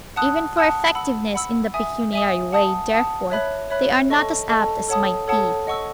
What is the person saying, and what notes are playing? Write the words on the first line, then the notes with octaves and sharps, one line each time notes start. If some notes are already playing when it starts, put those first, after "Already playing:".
Even for effectiveness in the pecuniary way, therefore, they are not as apt as might be.
F#5 A5 D#6 F#6
F#5 A5 D#6 F#6
F#5 B5 E6
F#5 B5 E6
E5 G#5 D#6
E5 G#5 D#6
F#5 A5 D#6
F#5 A5 D#6
C#5 E5 B5 F#6
C#5 E5 B5 F#6
A4 D#5 A5 C#6
A4 D#5 A5 C#6
A4 C#5 F#5 A5 D#6
A4 C#5 F#5 A5 D#6
D#5 F#5 C#6 E6